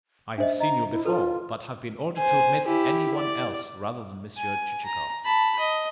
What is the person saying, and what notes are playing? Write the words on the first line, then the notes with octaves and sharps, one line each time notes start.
"I have seen you before, but have been ordered to admit any one else rather than Monsieur Chichikov."
D4 C5 D#5 E5
D#5 A#5
E4
F4 A4 B4
C5 G#5
E4 G4
D5
G#5
A#5
A5 B5
D#5